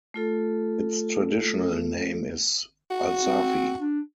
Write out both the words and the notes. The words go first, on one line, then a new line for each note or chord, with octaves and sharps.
Its traditional name is Alsafi.
A3 F4 A4
F#4
C4
D4